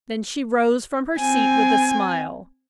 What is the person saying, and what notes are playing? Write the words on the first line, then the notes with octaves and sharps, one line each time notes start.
Then she arose from her seat with a smile.
C4 G#5